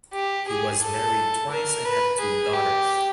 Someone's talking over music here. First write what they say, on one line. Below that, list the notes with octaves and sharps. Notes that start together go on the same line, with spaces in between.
He was married twice and had two daughters.
G4
G#4
A4
A#4
B4
G#4
G4